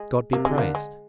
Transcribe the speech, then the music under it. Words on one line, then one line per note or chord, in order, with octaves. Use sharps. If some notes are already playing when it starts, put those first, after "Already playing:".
God be praised!
Already playing: G#3
C3 A#3
C3 G#3
D3 A#3
G#3